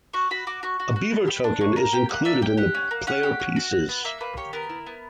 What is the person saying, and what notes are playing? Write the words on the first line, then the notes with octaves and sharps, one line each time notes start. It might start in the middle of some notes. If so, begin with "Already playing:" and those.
A beaver token is included in the player pieces.
F#4 C#6
F#4 B5
F#4 D6
F#4 C#6
F#4
F#4
B3
G4
D4
A#3 C#6
A#3 A#5
G4 G5
A#3 F#5
D4 E5
G4 G5
G4 F#5
C#4
A#3
C#4 F#5
G4
C#4
F#4
F#4
B3
A#3 E5
A#3 B4
G4 C#5
B3 A#4
E4
B3